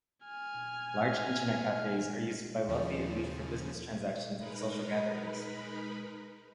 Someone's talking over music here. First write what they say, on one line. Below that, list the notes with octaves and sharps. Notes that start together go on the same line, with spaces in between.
Large Internet cafes are used by wealthy elite for business transactions and social gatherings.
G#5 F6
D#2 C#3 F3
G#3 D#4 A#4 B4 B5